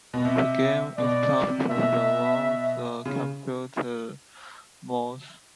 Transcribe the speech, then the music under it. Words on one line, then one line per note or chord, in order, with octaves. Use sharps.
The game is controlled via the computer's mouse.
B2
C3 E5
B2 D5
C3
C3
B2 E5
C#3